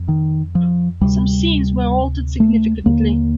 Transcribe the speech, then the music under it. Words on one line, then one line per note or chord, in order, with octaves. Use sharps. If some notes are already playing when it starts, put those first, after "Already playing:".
Some scenes were altered significantly.
Already playing: F2
D#3
F3
D2 C3 G3
A3
D#2 D3 A#3